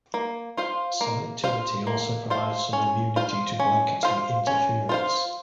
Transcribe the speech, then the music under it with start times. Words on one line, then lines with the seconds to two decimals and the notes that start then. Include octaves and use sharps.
Selectivity also provides some immunity to blanketing interference.
0.14 A#3
0.57 F4 C5 F5
1.01 A#3
1.44 F4 C5 F5
1.87 A#3
2.30 F4 C5 F5
2.73 C#4
3.16 F4 C5 F5
3.60 C#4
4.03 F4 C5 F5
4.47 C#4
4.89 F4 C5 F5